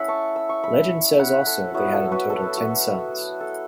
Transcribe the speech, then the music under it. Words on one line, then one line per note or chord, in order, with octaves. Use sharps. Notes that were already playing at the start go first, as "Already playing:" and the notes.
Legend says also they had in total ten sons.
Already playing: A3 C#4 E4 E5 F#5 B5 E6
A5 C#6
E6
C#6
B5 E6
F#5 B5
A4
F#3 B3 E4 F#4
A4
F#4 B4
A4
F#4
A4